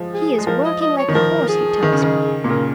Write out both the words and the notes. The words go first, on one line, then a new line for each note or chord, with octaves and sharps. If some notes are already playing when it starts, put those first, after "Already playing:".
He is working like a horse, he tells me.
Already playing: F3 G#3
G#4
G#3
F3 A#4
D#5
D#5
C#5
D#3
F3 A#4
G#4
D#3
C#3
D#3
A#2
C#3 A#4